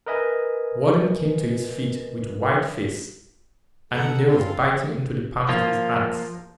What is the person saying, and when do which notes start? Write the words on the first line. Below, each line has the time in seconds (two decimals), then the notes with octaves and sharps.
The warden came to his feet with white face, and nails biting into the palms of his hands.
0.06 A#4 B4 D#5 E5 G#5
3.92 A4 F#5 A#5
4.27 C#4 F4 G#5 C6
5.49 F3 A#3 F4